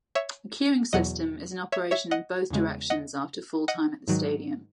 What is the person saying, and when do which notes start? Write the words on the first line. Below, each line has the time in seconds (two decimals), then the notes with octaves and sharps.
A queuing system is in operation in both directions after full-time at the stadium.
0.15 C#5 E5
0.93 E2 B2 F#3 D#5 F#5
1.72 C#5 E5
1.91 C#5 E5
2.11 D#5 F#5
2.50 E2 C#3 G#3
2.90 D#5 F#5
3.68 D#5 F#5
4.08 G#2 D#3 F#3